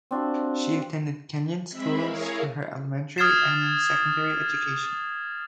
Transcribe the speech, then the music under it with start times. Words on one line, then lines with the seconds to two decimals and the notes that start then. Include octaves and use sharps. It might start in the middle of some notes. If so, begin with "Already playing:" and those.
She attended Kenyan schools for her elementary and secondary education.
0.11 C4 D4 F4 F#4
1.70 G#3 C4 E5 B5
2.04 E4 G#4 A#4 C#5 F5
3.18 D#6 F6 G#6 A6 C7 E7